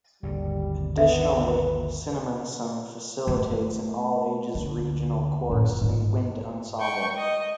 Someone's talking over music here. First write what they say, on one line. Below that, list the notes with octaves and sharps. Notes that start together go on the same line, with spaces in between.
Additionally, Cinnaminson facilitates an all-ages regional chorus and wind ensemble.
G#1 D#2 D3 G3
B3 E5
B4
A3
D2
F#2 A2
G#2 F4
G5 C#6
D#5